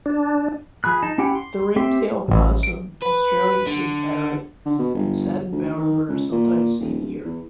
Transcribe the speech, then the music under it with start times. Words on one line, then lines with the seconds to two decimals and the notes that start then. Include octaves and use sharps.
The ringtail possum, Australian king parrot and satin bowerbird are sometimes seen here.
0.06 D4
0.84 F3 G#4 B5 F#6
1.03 D#4 A5
1.18 C#4 E4 G4 F#5 G5
1.35 C6
1.76 C4 G4 E5 C6
2.31 A1
2.63 D7
3.02 B4
3.67 D3
4.66 D3
4.79 B2
4.95 G1
5.52 D2
5.78 D#3
6.09 C#2
6.32 A#2
6.80 D#1
7.01 D1
7.25 E2